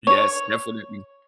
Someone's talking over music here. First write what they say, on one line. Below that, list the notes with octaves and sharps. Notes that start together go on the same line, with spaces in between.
Yes, definitely.
C#5